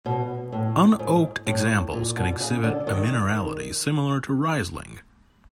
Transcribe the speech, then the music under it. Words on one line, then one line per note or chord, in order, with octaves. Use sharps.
Unoaked examples can exhibit a minerality similar to Riesling.
B2
A2
G#2
A2
A#2
B2
C#3
D3
D#3